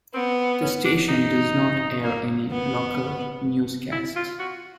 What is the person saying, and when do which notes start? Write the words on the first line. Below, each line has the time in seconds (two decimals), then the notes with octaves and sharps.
The station does not air any local newscasts.
0.14 B3 C4
0.62 C#4
0.85 D4
1.08 D#4
2.03 A#3
2.51 B3
3.92 E4
4.16 F4
4.39 F#4